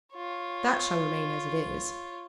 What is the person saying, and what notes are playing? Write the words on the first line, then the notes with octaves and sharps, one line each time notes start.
That shall remain as it is.
F4 C#5